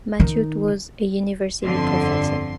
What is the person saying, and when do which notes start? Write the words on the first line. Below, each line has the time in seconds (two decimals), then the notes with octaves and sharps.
Matute was a university professor.
0.20 D#3 D#4
1.63 G1 F2 D3 C6